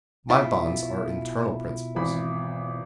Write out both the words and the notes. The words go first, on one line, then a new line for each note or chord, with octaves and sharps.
My bonds are internal principles.
B2 E4 F4
G#1 E3 B5